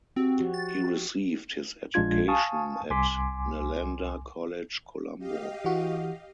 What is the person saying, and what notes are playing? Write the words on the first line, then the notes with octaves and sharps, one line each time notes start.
He received his education at Nalanda College Colombo.
C4 F#4 G4
F3 F#4 G4
A6
A#1 G#3 D4 F4 G#6
F5 G#5 A5 C#6 D#6
C2 G#5 C6 D6 B6
G4 D#5 F5
E3 F#4